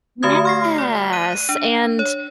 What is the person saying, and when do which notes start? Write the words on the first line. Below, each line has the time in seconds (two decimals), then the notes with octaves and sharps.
Yes, and
0.23 D3 A3 F#4 D#6 G#6
0.45 F6 A#6 C7
0.78 D5
1.13 F#6 D#7
1.49 D4
1.99 C#5